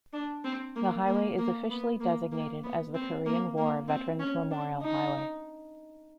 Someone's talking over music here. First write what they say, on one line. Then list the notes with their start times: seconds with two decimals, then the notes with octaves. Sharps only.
The highway is officially designated as the Korean War Veterans' Memorial Highway.
0.13 D4
0.44 C4
0.76 A#3
1.07 A#3
1.38 A#3
1.70 B3
2.00 A#3
2.32 A#3
2.63 B3
2.94 C4
3.26 A#3
3.57 A#3
3.88 C4
4.19 C#4
4.51 D4
4.82 D#4